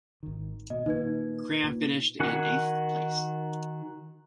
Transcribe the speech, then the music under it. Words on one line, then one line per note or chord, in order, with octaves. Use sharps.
Cram finished in eighth place.
G#1 D#3
B2 D#5
A#2 D#3 D#4 B4 G#6
A#2
D#3 F#4 G#5 F#6